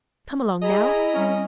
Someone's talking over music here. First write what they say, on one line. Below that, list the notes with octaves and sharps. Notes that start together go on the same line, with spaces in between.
Come along, now.
E4 G#4 D#5 A#5
G3 C4 C#4